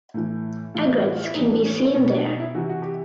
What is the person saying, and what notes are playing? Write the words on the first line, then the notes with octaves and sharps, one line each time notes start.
Egrets can be seen there.
A2 E3
A2 E3 F4
E4
F4
F#4
F4
E4
A2 E3 D#4
D4
C#4
B3
C4
B2 C#4
C#4
D4
D#4
E4
C3 E3 F#4
F#4
G4